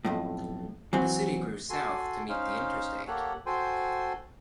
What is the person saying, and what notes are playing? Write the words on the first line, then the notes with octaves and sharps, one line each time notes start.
The city grew south to meet the interstate.
B1 F2 A2
E3 F#3 C4
F#4 A4 G#5 C6
C#4 D#4 C5 F5
A#3 G4 A4 C#5 F#5
F#4 A4 C5 G5 G#5 C6